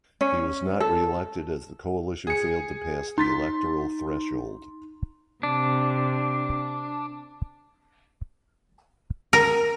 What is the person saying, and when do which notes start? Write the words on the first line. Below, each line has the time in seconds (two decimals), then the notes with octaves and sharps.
He was not reelected as the coalition failed to pass the electoral threshold.
0.21 C#4
0.80 A4
2.27 G#4 C#7
3.18 D#4 C6 A6 B6
5.43 C3 D4
9.33 A#4